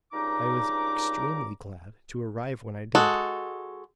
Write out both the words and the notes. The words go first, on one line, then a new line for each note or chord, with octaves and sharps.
I was extremely glad to arrive when I did.
C#2 G2 D#4 A#5 D6
G#3 F#4 A4